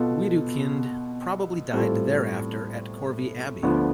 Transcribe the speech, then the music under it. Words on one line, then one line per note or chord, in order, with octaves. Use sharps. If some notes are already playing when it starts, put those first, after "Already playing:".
Widukind probably died thereafter at Corvey Abbey.
Already playing: B2 B3 F4 A4
A2 G3 C4 F4 A4
D2 D3 F3 B3 F4